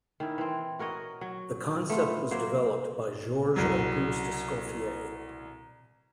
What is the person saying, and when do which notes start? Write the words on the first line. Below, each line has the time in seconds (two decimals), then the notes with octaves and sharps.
The concept was developed by Georges Auguste Escoffier.
0.20 D#3 C#4 E4
0.38 E3 C4
0.79 F#4 A#4 C#5 D#5
1.21 F#3
1.90 A3 B3 F4
2.31 F#3 A#3 C5 E5
3.56 C2 F#3